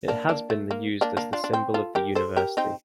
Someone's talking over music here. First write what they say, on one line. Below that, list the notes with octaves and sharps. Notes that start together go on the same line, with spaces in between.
It has been used as a symbol of the university.
A#3 D4
A#3 D4
A3
A#3
A#3 D4
A#3 D4
D4 F4
D4
C4
F4 A4
G4 A#4
A4 C5
G4 A#4
C4 D#4